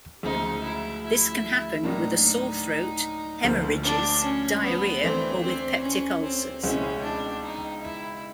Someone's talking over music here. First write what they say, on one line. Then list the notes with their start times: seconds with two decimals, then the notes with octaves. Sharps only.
This can happen with a sore throat, hemorrhages, diarrhea, or with peptic ulcers.
0.23 D2 C#3 F3 G#3 D#4
0.64 E4
1.04 E4
1.84 A2 F#3 A#3 D4 D#4
2.24 D#4
3.44 D2 D3 F3 A#3
3.83 D4
4.23 C#4
4.64 B3
5.03 E3 A3 C4 D4
5.43 C4
5.83 C#4
6.23 C4
6.63 C#2 B2 G#3 C4 C#4 E4
7.03 D4
7.44 D#4
7.83 E4